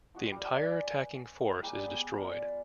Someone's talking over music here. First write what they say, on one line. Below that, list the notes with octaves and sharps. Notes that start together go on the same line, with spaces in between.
The entire attacking force is destroyed.
F3 F#4 D#5
G3 D4
C#4 B4
G3 G#3 A#3 G4
B3 G#4 F#5
F4 D5 B5